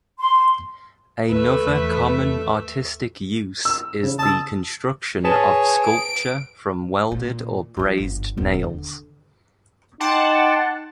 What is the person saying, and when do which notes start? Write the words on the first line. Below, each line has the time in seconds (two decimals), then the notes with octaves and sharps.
Another common artistic use is the construction of sculpture from welded or brazed nails.
0.19 C6
1.30 D#2 A3 B4 E5
1.66 E2
3.65 E6
4.03 C#3
4.19 A5 D#6 E6
5.25 G#4 B4 C#5 A5
5.85 D7
7.12 A#2
7.77 G2 F3
7.98 G1
8.37 D#1 B3
8.60 D3
10.00 D#4 F#5 G5 A5 C6 D6